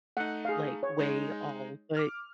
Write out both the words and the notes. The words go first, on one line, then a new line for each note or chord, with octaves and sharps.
like, way all. But,
A3 D#4 F#5
G#4 F5
C#5
G#3 D#4
D6 F6